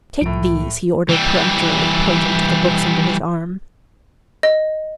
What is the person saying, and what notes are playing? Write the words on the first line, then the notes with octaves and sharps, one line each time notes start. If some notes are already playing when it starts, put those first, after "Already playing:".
"Take these!" he ordered peremptorily, pointing to the books under his arm.
C2 A2 F3 D7
E3 G3
D#5